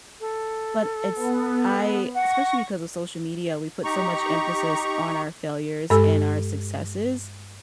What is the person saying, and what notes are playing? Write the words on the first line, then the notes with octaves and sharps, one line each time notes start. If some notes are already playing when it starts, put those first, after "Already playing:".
but it's I especially because of social media, we put so much emphasis on our failures and our successes,
A4
B3
F#5 C#6 A#6
D#4 G4 A#5 C#6
G2 G#3 A4 E6